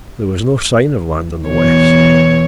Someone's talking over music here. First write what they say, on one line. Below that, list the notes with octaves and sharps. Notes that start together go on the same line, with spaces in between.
There was no sign of land in the west.
E2 B2 C#5